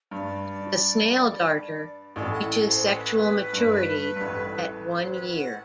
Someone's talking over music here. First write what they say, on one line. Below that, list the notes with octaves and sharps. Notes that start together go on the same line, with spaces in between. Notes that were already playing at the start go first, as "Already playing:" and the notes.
The snail darter reaches sexual maturity at one year.
G2 D5
A1 A2 D5
F#5
C5
B4
G2
G2
A1 A2
C5
B4
F#5